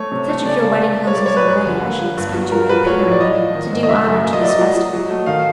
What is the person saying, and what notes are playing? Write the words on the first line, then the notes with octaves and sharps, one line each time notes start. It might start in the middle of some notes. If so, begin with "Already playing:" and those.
Such of your wedding clothes as are ready I shall expect you will appear in, to do honour to this festival.
Already playing: A3 C#5
C3
A3
C#3 D5
A#3
A#3
A#3
C#5
G3 D5
C#5
G3
B4
F#2 B4
D3
A#3
F3
G2
F#3
F3 A#4
F3 B4
F#3 C#5
A2
D5
F3 D#5
F3
D#3
G#2
D#5
C#3 E5
F#2
A#3 E5
D#5
F#3 D5
D#5
F#3
F#3
F#3
A3
D#3 F5